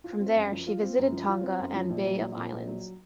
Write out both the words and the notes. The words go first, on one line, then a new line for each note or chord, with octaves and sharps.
From there she visited Tonga and Bay of Islands.
F4
C4
F#2
F3
F4
C4
F#2
F3
F4
C4
F#2
F3
A#1
F#3
A#1
A#2
A#1
F#3